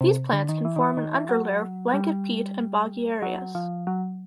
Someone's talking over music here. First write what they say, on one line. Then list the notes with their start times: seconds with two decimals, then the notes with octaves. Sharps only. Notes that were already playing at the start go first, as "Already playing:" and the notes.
These plants can form an underlayer of blanket peat and boggy areas.
0.01 C3
0.33 D3
0.49 D#3
0.65 E3
0.76 D#3
0.81 E3
0.97 D#3
1.14 E3
1.29 F#3
1.94 G3
3.22 F#3
3.55 F3
3.87 F#3